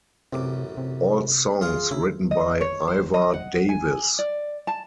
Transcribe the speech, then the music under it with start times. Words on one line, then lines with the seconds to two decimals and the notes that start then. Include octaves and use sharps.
All songs written by Iva Davies.
0.33 A1 F#2 C3 D6
0.77 C3
1.61 F4 G#4 F5
1.91 C#3 E4
2.31 D#5
2.61 C#5
2.88 C5
3.14 D#5
3.34 F#5
3.69 G#5
4.19 D5
4.67 A5